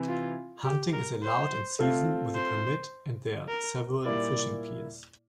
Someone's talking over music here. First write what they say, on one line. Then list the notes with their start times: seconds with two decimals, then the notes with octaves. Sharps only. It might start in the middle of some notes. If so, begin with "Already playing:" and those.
Hunting is allowed in season with a permit and there are several fishing piers.
Already playing: C3 E3 E4
0.08 F4
0.65 G4
0.93 A#4
1.23 C5
1.79 A3 C4 F4 A4
2.35 C5
3.48 A#4
4.05 A#2 G3 A#3 E4 D5